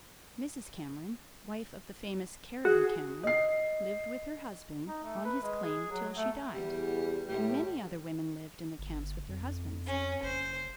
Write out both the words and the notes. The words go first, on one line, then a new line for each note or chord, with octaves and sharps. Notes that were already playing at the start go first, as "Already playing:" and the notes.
Mrs Cameron, wife of the famous Cariboo Cameron, lived with her husband on his claim till she died, and many other women lived in the camps with their husbands.
F#4 G#4
D#5 C7
D#4
A3
B4
G#3
G#4
F#3
A3
E2 G3
A2 G3
G1
F2
C#4
F#1 C5